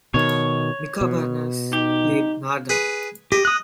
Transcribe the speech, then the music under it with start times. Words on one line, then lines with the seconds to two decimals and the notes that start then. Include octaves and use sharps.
Mica Bernas played Narda.
0.14 B2 D#3 C#5
1.01 B2
1.73 D#4 G4
2.69 G#4 B4
3.32 G4 D#5
3.45 D#6 F#6